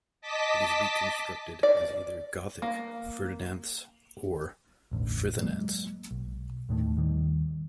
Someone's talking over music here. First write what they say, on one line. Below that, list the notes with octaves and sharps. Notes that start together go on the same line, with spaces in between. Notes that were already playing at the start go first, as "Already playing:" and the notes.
It is reconstructed as either Gothic "Ferdinanths" or "Frithunanths".
D#5 A5 D6 B6
D5
A#3
E1 A1 D2
F#3 G#3 A#3
B1
D#2 A2 D#3 A3
D#2 D#3 G3